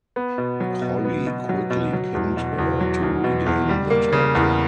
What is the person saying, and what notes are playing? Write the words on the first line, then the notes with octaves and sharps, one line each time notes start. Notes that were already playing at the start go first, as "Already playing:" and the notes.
Holly quickly pinned her to regain the title.
B3
B2
F#3
B2
B3
B2
F#3
B2
F#3
E2
B2
E2
F#3
E2
B2
E2
G3
A#3
C#3
E2